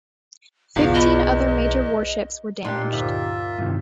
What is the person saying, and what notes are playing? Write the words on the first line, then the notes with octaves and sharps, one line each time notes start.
Fifteen other major warships were damaged.
B1 E2 B3 F4 F5
B3 D#5 B5
A#2 D4 D#4 G4 D5 C6
D2 G2 D3 F4 E5
G2 C3 D#3 E4